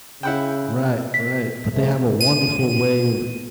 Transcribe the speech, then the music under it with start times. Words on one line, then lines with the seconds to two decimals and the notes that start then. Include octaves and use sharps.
Right, right. But they have a wonderful way of
0.23 C#3 E4 F#5 G5
1.14 B6
1.72 F3 G#3 A3
2.21 D#7